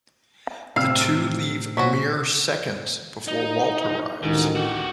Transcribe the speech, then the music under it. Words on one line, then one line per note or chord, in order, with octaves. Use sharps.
The two leave mere seconds before Walt arrives.
A2 C3 C4 F5 E6 F6 C7
A#2 F3 F#3 F#4 C#6 B6
D#4
A1 D2 G#2 D#3
F#4 G4